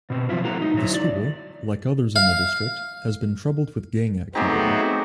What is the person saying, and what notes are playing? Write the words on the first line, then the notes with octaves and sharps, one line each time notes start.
The school, like others in the district, has been troubled by gang activity.
B2 C4
F3 F#3 G#3 E4 F4
A3 E4 F#4 A#5
D#4
F#3 E4
D5
F5
F#3 A3 B3 C4 D#4 G4 G#4